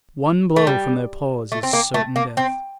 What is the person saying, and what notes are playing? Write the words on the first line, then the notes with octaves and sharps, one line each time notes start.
One blow from their paws is certain death.
A3
G3
A3
C4
A#3
A3
A#3
C4